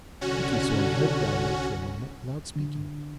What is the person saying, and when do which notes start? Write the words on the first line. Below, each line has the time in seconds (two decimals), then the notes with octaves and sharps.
Binkie swung head downward for a moment without speaking.
0.21 C2 D3 C#4 F#4
2.56 D3